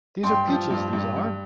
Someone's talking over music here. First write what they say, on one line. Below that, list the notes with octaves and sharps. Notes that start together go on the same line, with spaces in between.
These are peaches, these are.
G2 G5 C6
F3
G2
G2
G2